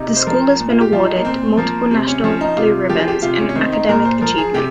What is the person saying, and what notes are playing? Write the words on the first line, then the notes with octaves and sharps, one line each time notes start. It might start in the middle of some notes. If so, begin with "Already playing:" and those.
The school has been awarded multiple national blue ribbons in academic achievement.
Already playing: C3 D#4
C5
F3 A#4
A#2
F4
G4
F3 F4
D#4
A#3
A#2 C4
F3 A#3
C3 C4
C#4
F3 C#4
D#4
C3 F4
F3 G4
G#4
G4
C3 F4
C#4
C#4
D#3 C4
D#4
A#2 A#4
C5
F3 A#4
G#4
C3 G4